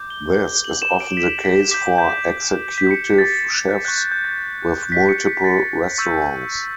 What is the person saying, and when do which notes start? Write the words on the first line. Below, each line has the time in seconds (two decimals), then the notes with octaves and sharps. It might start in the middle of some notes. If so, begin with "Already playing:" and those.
This is often the case for executive chefs with multiple restaurants.
Already playing: D6 G6
0.10 G7
0.64 F#7
0.82 E7
1.00 D7
1.17 B6
1.44 B6
1.71 D6 G6 B6
1.98 G6
2.78 B6
2.91 C#7
3.04 C#7
3.18 A6
3.85 C#6 F#6 G6
3.98 G6
4.12 G6
4.25 A6
4.92 B6
5.09 C#7
5.27 C#7
5.44 A6
5.98 C#6 E6 G6 A6
6.52 B6